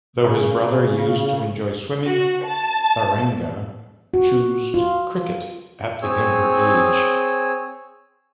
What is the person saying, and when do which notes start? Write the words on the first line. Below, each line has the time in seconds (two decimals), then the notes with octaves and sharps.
Though his brother used to enjoy swimming, Tharanga choosed cricket at the younger age.
0.24 C#3
2.05 F#4
2.45 A5
4.14 F#4
4.74 F4
6.02 C4 G#4 C#5 E6